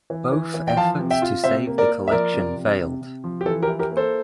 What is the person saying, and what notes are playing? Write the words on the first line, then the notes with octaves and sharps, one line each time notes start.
Both efforts to save the collection failed.
E3
E3
E3
G5
F3 F5 A5
C3
E5 G5
F4
C3 C5 E5
A#3
A#4 D5
A#3
E5
F3 A#4 D5
C3
C3
C3
C3
F3
G4
E3 A4
G4 A#4
E4
G4 A#4
A#3
A4 C5